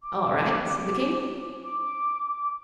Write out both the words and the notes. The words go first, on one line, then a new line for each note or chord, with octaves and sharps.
"All right," said the King.
D6
D6